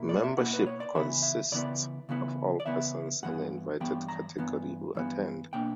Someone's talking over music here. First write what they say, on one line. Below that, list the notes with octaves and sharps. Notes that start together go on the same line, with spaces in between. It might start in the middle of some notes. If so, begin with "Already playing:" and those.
"Membership" consists of all persons in the invited category who attend.
Already playing: B2 A#3 E4
D5
E5
B2 A#3 E4 F#5
B4
C#5
D5
C#3 E3 B3 E4 E5
E5
C#3 E3 B3 E4 D5
C#3 E3 B3 E4
D5
C#3 E3 B3 E4 E5
G2 E3 B3 F#5
G2 E3 B3 G5
A#5
G2 E3 B3
G2 E3 B3
B2 A#3 D4 G5